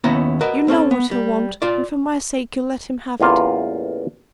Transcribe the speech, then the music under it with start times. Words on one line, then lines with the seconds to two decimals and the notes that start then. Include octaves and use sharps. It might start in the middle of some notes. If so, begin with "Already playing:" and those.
You know what he'll want, and for my sake you'll let him have it.
0.04 D#2 B3 C#4 E4 F#5 A#5
0.41 F#4 A#4 B4 D#5
0.68 C4 C#4 A4
0.91 B3
1.11 G3
1.62 F4 D5
3.20 A1 E2 A#3 F4